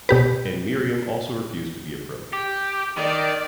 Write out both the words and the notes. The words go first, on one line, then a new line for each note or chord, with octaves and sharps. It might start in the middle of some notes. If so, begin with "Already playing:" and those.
And Miriam also refused to be approached.
B2 G4 B4
G4
D#3 D5